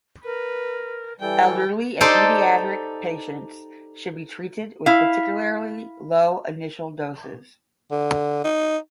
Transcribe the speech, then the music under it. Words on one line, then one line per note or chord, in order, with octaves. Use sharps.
Elderly and pediatric patients should be treated with particular low initial doses.
A#4 B4
E3 G3 A4 G5
D#4 G4 A4 C5 D5
E4 F5
D3
D#4